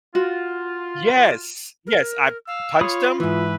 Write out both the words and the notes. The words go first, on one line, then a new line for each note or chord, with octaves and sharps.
Yes, yes, I punched him,
F4 F#4
A#4
F5 E6
F4 C#5 B5 D#6
G#2 E3 B4 E5